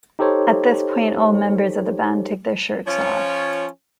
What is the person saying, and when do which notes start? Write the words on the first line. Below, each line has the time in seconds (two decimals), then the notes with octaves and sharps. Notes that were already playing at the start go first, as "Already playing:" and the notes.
At this point, all members of the band take their shirts off.
0.19 D#4 G4 A4 C5 C#5
2.87 F3 C#4 F4 C#5